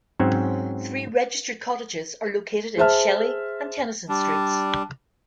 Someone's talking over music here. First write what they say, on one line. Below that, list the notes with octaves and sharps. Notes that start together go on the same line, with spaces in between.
Three registered cottages are located in Shelley and Tennyson Streets.
G#2 F#3 C4 C#4
G#4 C5 E5 A5 F6
G3 D4